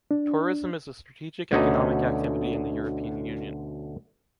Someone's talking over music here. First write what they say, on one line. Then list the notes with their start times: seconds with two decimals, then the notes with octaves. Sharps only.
Tourism is a strategic economic activity in the European Union.
0.11 D4
1.52 D2 B2 D3 C#4 D#4 D#5